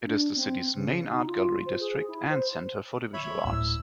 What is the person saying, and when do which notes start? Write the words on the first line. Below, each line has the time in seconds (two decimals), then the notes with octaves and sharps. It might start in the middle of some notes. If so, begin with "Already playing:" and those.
It is the city's main art gallery district and center for the visual arts.
0.05 D4
0.35 C4
0.74 C#3
1.10 D#4
1.26 F4
1.66 C5
1.80 G#4
2.08 E4
2.30 C5
3.14 C#5 E5 B5
3.45 D1 A2 E6